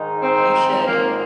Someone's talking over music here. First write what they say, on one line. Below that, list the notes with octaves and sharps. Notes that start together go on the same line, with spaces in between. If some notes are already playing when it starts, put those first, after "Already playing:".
You should
Already playing: G#2 D#3 G#3 D#4
C4
G#1 G#2 F3 A#3 C4